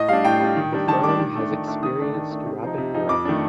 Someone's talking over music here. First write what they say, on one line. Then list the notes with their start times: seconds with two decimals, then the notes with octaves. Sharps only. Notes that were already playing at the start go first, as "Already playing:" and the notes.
The firm has experienced rapid growth.
Already playing: A2 D#5
0.08 G3 D4 F5
0.25 A2 G5
0.40 G3 D4
0.56 D#3
0.73 G3 D4
0.88 D#3 A5
1.04 G3 D4 D6
1.20 D#3
1.35 A3 D4
1.51 D#3
1.67 A3 D4
1.83 D#3 D#6
1.99 A3 D4
2.15 D#3
2.31 A3 D4
2.46 C3
2.62 F3 C4 D#4
2.78 C3
2.94 F3 C4 D#4
3.09 F2 D6
3.25 D#3 A3 D4